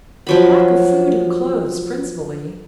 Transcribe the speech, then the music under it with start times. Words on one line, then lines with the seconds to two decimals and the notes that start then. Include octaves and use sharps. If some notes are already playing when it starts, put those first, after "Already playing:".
"Lack of food and clothes principally."
0.27 F3 F#3 B5